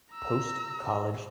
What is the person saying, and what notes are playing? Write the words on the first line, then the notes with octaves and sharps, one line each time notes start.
Post College.
A#5 E6